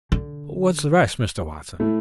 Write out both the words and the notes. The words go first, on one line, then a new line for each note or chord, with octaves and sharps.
"What's the rest, Mr. Watson?"
D3
A2 A3